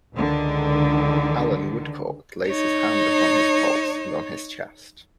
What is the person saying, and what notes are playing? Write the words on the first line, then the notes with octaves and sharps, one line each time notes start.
Allan Woodcourt lays his hand upon his pulse and on his chest.
C#2 D3 D#3
D#4 C#5